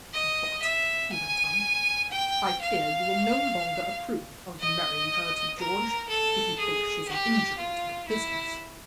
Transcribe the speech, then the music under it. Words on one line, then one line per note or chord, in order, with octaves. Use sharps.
"But," he went on, "I fear you will no longer approve of marrying her to George, if you think she's an injury to the business!"
D#5
E5
G#5
G5
F5
D#5
A#4
A4
G#4
G4
F4
E4